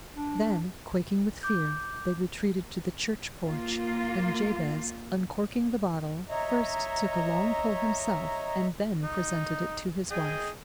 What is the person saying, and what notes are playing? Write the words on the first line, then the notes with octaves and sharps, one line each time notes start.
Then, quaking with fear, they retreated to the church porch, and Jabez, uncorking the bottle, first took a long pull himself, and then presented it to his wife.
D4
D6 G6
A#3 F4
C#5 D#5 E5 A#5
D#4
G#4 D#5 G5